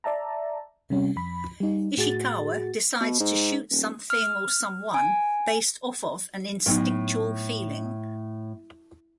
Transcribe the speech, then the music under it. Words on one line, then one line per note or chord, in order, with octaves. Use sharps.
Ishikawa decides to shoot something or someone based off of an instinctual feeling.
D5 E5 A5 A#5
C3 G3 C#4
F2 B5
G3 D#4
A2 F#4 G#4 A6
B2
G#2
D#1
F6
G#5
A2 F#3 B3 D#4